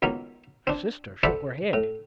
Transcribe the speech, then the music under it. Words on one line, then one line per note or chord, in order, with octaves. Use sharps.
My sister shook her head.
C#2 B2 D#3 A#3
C4 D4
A4 C5 D5 E5 F#5 B5
A2